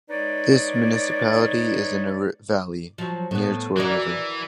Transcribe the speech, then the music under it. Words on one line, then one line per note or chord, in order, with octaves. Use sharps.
This municipality is in a valley, near to a river.
G#3 D#4 B4 C#5 D5
F3 F#3
A2 B3
E3 F#4 A#4 D5